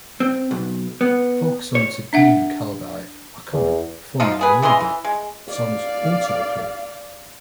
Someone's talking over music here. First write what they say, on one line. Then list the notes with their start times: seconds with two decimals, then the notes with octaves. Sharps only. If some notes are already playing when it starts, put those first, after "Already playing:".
Folk songs in Ewe and Kabye, are common, Fon and Yoruba songs also occur.
0.20 C4
0.51 B1
1.01 B3
1.75 C#5
2.13 D4 E5 F#5
3.53 E2
4.20 F3 F#3 D#4 F4
4.39 A#3 G#4 B4
4.62 C#3 E3 D#5 C6
4.81 E3
5.05 G#3
5.50 D5 F5